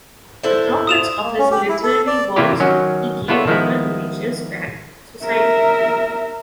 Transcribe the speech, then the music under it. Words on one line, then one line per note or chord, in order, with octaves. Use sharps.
The profits of his literary works he gave to the Religious Tract Society.
D3 E4 C5
D#6 E7 F7
A#3
C#4
G4
E4
A4
D5
C3 E3 A#3 E4 F4 G4
D#3 F#3 C#4 F#4
B3 E4 F4 A4 C#5 D5
D#3 F3 G#3 B3 E4
A#4 E5